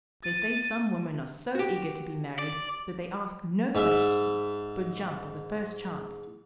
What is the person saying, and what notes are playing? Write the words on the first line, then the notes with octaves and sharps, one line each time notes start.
They say some women are so eager to be married that they ask no questions, but jump at the first chance.
A6 D#7
F#4 G4
D5
G#2 E5